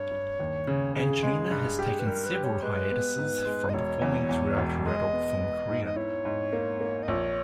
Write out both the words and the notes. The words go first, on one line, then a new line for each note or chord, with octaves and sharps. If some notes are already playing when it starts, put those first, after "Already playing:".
Angelina has taken several hiatuses from performing throughout her adult film career.
Already playing: G2 C#5
G2
D#2
C#3
C#3 G#4
G#3
G2
G4
B4
G3 A#4
B4
G4
C#5
G#3 B4
B3
G#2
G#3
D#5
E1 C#5
E2
E2
E1
G#3 D#5
B3
B3
G#2
D#5
E4 C#5
G#2
A#3
A#3
D#5
A#1 C#5